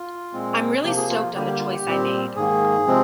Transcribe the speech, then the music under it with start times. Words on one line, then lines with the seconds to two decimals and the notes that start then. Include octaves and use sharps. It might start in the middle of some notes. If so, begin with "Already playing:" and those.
I'm really stoked on the choice I made.
Already playing: F4
0.33 A#2 G#3 C4
0.83 C3 F3 A#3 G4
0.97 G#4
1.10 F4
1.22 F4
1.34 D3 G3 A#3 G4
1.47 G4
1.60 F4
1.73 G4
1.85 A#2 G3 C4
2.36 G#2 D#3 A#3 G#4
2.87 C3 F3 G#3 C4